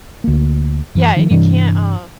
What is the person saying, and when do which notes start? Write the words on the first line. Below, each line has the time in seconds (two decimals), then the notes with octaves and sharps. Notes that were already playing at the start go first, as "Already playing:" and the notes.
Yeah, and you can't, uh
0.24 D2 A#3
0.95 F#2 E3
1.16 D#3 F3
1.30 G2 C3 E3 D4